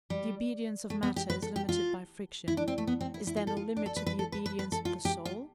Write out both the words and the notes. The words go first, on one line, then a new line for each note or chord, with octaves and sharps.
The obedience of matter is limited by friction; is there no limit to the obedience of the soul?
G3
A3
B3
G4
B4
A4
G4
F4
E4
D4
C4
A3
B3
C4
E4
E4
F4
A4
F4
D4
A4
B4
B4
A4
B4
B4
B4
A4
F4
G4
F4